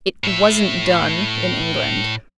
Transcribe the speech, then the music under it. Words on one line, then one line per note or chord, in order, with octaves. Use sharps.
It "was n't done" in England.
A2 E5